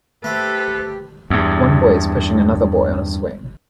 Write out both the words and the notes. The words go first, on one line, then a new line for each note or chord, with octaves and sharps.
One boy is pushing another boy on a swing.
A3 G4 A4 B4 C5
E2 G2